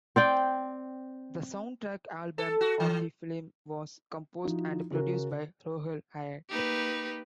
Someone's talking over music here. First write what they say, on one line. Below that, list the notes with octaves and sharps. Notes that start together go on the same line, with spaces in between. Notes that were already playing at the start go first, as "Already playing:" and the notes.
The soundtrack album of the film was composed and produced by Rohail Hyatt.
C4 D5 G5
A4
F#4
E3
F3 D#4 E4 F#4
C#3 F#4 A#4
A#3 D#4 G4 B4